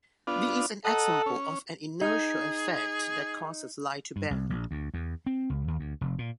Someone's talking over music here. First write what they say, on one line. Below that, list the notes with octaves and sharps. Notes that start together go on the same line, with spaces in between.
This is an example of an inertial effect that causes light to bend.
B3 D4 F4
A4 D#5 F#5 A#5
C#4
D#4 G#4
G2
C2
A#1
D2
E2
C4
C#2
D#2
D2
F1
A#2